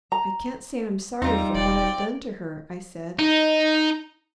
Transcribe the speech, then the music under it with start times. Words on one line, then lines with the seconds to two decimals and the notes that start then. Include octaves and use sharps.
"I can't say I'm sorry for what I've done to her," I said.
0.12 A#5
1.22 E2 G3 C4 D#4 F4 C5 A#5
1.55 E1 D5 G5
3.19 D#4